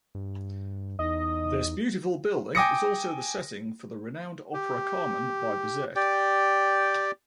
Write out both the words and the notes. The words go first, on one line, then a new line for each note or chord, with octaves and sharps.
This beautiful building is also the setting for the renowned opera, "Carmen", by Bizet.
G2
E2 D#4 D#5
G5 G#5 D6 D#6 A#6 C#7
G4
G4 D5 G5